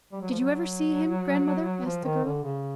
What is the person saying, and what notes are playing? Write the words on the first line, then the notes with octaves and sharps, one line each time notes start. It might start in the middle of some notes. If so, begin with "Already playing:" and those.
"Did you ever see him, grandmother?" asked the girl.
G3
F#3
F3
F#3
F3
D#3
D3
C#3